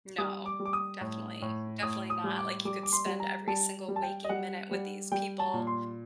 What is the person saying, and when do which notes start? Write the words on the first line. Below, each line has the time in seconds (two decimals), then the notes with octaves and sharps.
No. Definitely. Definitely not. Like, you could spend every single waking minute with these people
0.18 G3 D#6
0.46 D6
0.60 G3
0.65 D6
0.73 D#6
1.01 A2
1.42 A2
1.83 A2 D#6
2.10 D#6
2.24 G3
2.38 D6
2.65 G3 D6
2.83 D6
2.93 C6
3.06 G3
3.20 A#5
3.47 G3 A5
3.88 G3
3.96 A5
4.02 G5
4.24 D#5
4.29 G3 F#5
4.71 G3
5.12 G3 G5
5.39 A5
5.54 A#2
5.67 C6